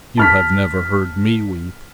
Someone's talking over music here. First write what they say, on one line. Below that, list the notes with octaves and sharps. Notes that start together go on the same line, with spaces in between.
You have never heard me weep.
A5 F6 B6